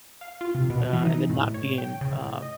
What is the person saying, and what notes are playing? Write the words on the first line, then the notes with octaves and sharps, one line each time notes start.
uh, and then not being, uh
F5
F4
C3
B2
E3
D#4
A2
C#5
G5
C#3
A2
D#5